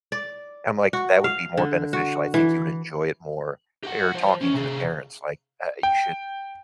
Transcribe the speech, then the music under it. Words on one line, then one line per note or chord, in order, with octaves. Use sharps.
I'm like, "That would be more beneficial, I think you would enjoy it more." Er, you're talking to the parents like, "Uh, you should
D5
F#4
F5
D3
F#4
E3
G4 F#5
F3 C5
C#2 C#4
C3 G#4
G5